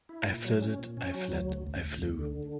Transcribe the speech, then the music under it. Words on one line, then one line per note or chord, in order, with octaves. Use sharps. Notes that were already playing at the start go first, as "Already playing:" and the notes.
I flitted, I fled, I flew.
E4
A#2
F#3
C#4
A#2
C#4
F#3
D2
D2
D2
D2
D2
D3